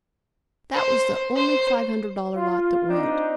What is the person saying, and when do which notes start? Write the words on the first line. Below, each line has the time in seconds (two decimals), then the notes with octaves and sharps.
That was the only five-hundred-dollar lot that went.
0.73 C5
1.36 C5
2.36 F4
2.89 C4 D4 D#4